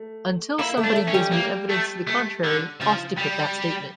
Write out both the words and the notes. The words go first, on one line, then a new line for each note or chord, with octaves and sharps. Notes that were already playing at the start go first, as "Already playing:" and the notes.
Until somebody gives me evidence to the contrary, I'll stick with that statement.
Already playing: A3
A#3 E4
A3
D4
A3
C#4
G3
A#3
A3
A3
D3
C#3 F3
G3